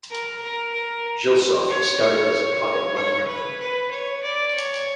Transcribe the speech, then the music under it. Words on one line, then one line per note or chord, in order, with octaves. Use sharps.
Gilsoft was started as a pocket money company.
A#4
A#4
A#4
C#5
C#5
C#5
B4
B4
C#5
D5
C#5